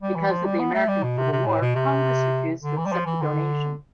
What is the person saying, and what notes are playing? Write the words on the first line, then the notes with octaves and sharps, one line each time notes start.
Because of the American Civil War, Congress refused to accept the donation.
G3
E3
F3
G3
B3
A3
G3
B2
C3
C3
A2
B2
C3
D3
E3
G3
F3
E3
D3